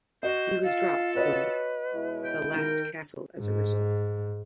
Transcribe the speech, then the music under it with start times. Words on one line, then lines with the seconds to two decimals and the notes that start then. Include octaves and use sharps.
He was dropped from "The Last Castle" as a result.
0.23 F#4 C5 D#5
0.64 F4 A4 F5
1.15 F#4 B4 C#5 D#5
1.94 B2 G#3 E4
2.25 G5
2.56 D#3 A#4
3.41 G#2